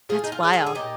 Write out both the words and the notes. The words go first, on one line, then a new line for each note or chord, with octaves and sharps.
That's wild.
F3 F4 G#4
D#4
F4
G#3 C#4
F4 G#4
G#4
A#2 D#4 G4